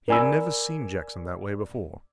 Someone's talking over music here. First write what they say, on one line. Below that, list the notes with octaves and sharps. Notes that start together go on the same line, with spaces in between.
He had never seen Jackson that way before.
A#4 D5 G#5 B5 E6